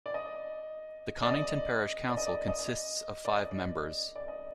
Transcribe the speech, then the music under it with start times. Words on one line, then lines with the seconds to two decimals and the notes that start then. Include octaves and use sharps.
The Conington parish council consists of five members.
0.06 D5
0.14 D#5
1.22 D5
1.31 D#5
2.09 D5
2.17 D#5
2.27 D5
2.48 D#5
3.25 D5
3.39 D#5
3.51 D5
4.16 D5
4.28 D#5